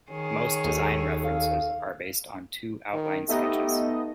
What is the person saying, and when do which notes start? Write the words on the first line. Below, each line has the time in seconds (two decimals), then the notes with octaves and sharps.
Most design references are based on two outline sketches.
0.11 D#3 G#4 C#5
0.64 D#2 A4
1.24 F5
2.93 D#3
3.29 A3 B3 D#4 G4 D#5